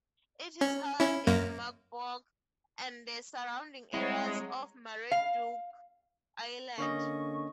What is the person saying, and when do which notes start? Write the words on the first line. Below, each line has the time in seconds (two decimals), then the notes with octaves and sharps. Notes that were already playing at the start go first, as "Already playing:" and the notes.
It is held in Mogpog and the surrounding areas of Marinduque island.
0.61 C#4
1.00 C#4 E4
1.27 F#2 A#3
3.94 G3 G#3 C4 E4 C#5 F#5 A#5
5.11 F5
6.78 D3 A#3 C#4 D#5 C#6